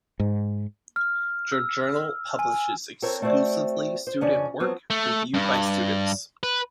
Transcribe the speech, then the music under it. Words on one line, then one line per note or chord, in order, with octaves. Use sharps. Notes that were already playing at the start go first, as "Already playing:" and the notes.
The journal publishes exclusively student work, reviewed by students.
G#2
F6
E6
G#5
C4 A4 A#4 C5 C#5
A3 C4 F#4 C5 D5
C5
F2 C#3 C#4 D4 D5
F3 F#3 B3 C4
A3
G2
B4